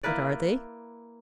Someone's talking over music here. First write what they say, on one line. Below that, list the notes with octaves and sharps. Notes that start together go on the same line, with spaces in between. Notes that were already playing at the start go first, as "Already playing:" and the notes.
What are they?
A#3 E4 B4 D5